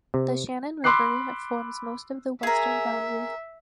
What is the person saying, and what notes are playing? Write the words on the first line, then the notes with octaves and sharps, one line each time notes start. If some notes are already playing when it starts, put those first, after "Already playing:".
The Shannon River forms most of the western boundary.
C3
B5 C6 D6 E6 F#6 C7
G#4 A#4 E5